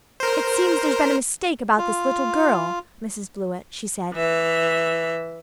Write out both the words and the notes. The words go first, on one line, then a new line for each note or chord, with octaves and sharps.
"It seems there's been a mistake about this little girl, Mrs. Blewett," she said.
A#4 C5
F4
E3 E5